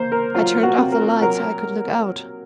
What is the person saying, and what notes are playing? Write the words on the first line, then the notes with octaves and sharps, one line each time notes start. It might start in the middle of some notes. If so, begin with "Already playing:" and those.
I turned off the light so I could look out.
Already playing: A#3 C5
A#4
F#3 F4
F#4
C3
A#4
F#3 A#4